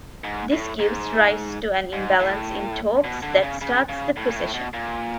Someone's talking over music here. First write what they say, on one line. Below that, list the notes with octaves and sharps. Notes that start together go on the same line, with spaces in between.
This gives rise to an imbalance in torques that starts the precession.
G#2
A2
G#2
G#2
A2
B2
D3
C#3
C#3
C#3
A2
A#2
A2
B2
A#2